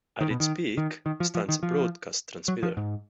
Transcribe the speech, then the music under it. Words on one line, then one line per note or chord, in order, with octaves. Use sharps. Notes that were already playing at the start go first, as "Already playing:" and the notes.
At its peak stands a broadcast transmitter.
D#3
B2
D#3
D#3
D#3
F3
F3
D#3
F3
F#3
F3
G#2